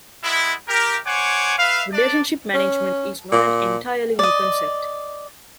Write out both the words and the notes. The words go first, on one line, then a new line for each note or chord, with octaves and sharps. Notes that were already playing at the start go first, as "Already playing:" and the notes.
Relationship management is not an entirely new concept.
G#3 B3 E4
G4 A#4
C5 C#5 F#5 G#5 D6
B4 E5 F5
D4 D5
C#4
A#2
D5 D#5